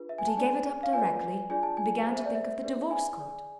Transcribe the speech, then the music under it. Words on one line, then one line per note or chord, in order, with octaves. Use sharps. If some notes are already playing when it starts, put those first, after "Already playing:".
But he gave it up directly, and began to think of the Divorce Court.
Already playing: D4 F4 G#4 B4
E5
G#5
A5
D4 G#4 D5 G#5
F5
F4 B4 D5 G#5
D4 F4 G#4 D5 G#5
A5
G#5
G#4 C5
E5
D5
E5
D4 G#4 B4 D5
G#5
G#4 D5